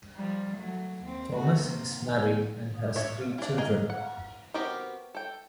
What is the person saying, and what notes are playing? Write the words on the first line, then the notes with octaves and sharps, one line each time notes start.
Thomas is married and has three children.
F3 G3
F#3 A3
D#2 C4
A3 F#4
C3 A#3
C#4 D4 C#5 E5
E3 D4
G#4 A#4 D#5 G#5
F#5
B3 C4 F#4 G4 A#4
A4 G5